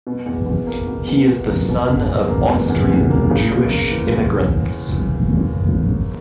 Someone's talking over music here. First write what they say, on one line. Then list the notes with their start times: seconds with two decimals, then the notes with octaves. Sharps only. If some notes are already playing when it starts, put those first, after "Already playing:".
He is the son of Austrian Jewish immigrants.
0.07 B2
0.26 E2
0.46 E2
0.67 A#3
0.87 B2
1.07 E2
1.27 E2
1.48 A#3
1.69 B2
1.89 E2
2.09 E2
2.28 A#3
2.50 B2
2.69 E2
2.90 E2
3.10 A#3
3.30 C#3
3.51 D#2
3.71 A#3
3.91 E3
4.12 C#3